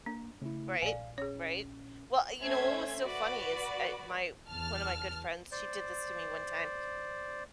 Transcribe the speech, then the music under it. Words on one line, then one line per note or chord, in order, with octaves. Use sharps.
Right. Right. Well, you know what was so funny is, eh, my one of my good friends, she did this to me one time.
A#3 D4
C#3 A3 E4
A#1 D5 F5 G#5
C#4 G#4 C#5
A3 C#4 C5 E5 G#6
F#4 B4 D5
E2 A5 F6
C5 D5